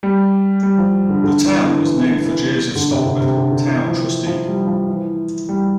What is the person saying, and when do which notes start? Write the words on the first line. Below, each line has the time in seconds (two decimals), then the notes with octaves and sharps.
The town was named for Joseph Stockham, town trustee.
0.03 G3
0.63 G3
0.78 F3
1.09 D3
1.24 D3
1.45 E3
1.65 D3
1.85 E3
1.98 E3
2.04 D3
2.25 E3
2.75 D3
2.91 C3
3.05 D3
3.20 C3
3.36 D3
3.51 D3
3.67 E3
3.87 F3
4.27 F3
4.48 G3
4.67 F3
4.88 E3
5.49 G3